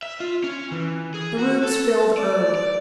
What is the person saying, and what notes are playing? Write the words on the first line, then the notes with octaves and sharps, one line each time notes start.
The rooms filled early.
E5
F4
C#4
E3
G#4
F#4
A4
D5
D5